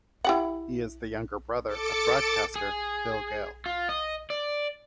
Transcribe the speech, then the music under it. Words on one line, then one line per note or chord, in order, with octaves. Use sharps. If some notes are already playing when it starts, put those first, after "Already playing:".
He is the younger brother of broadcaster Phil Gayle.
E4 G4 F#5
A4 D6 A6 C#7
G#4
F4
D#5
D5